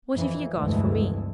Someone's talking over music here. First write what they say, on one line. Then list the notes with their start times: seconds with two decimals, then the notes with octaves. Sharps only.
What have you got for me?'
0.16 F2 E3
0.56 F1 D2 G2 E3 G#3 A3